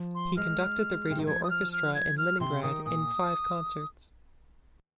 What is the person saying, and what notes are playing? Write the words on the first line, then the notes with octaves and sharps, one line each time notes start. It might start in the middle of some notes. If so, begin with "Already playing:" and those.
He conducted the radio orchestra in Leningrad in five concerts.
Already playing: F3
C6
G#3 F6
C3
D#3
F3 G#6
D#6
F6
F6
G#6
F6
C3 C6
D#3 D#6
A#2 D#6